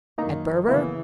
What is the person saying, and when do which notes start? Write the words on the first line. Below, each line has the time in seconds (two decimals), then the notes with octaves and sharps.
At Berber?
0.18 F#2 D#3 A#3 D#4 A#5
0.67 C#3 E3 A#3 B3 E4